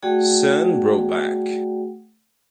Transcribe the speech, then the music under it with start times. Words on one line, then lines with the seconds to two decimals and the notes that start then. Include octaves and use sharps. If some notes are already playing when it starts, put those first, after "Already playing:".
Sam Brownback.
0.02 A3 F#4 G#4 D5 F#5 G5